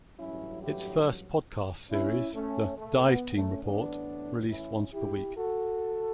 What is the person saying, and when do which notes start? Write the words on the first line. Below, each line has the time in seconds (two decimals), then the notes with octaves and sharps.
Its first podcast series, the "Dive Team Report", released once per week.
0.18 A1 G2 F#3 C#4 E4
0.62 E4 G4
1.90 C#4 E4
2.34 A3 C#4
2.77 A3
3.06 B3
3.34 A3 C#4
3.63 A1 A2 E3 B3 D4
4.50 C#4 E4
4.93 E4 G4
5.36 F#4 A4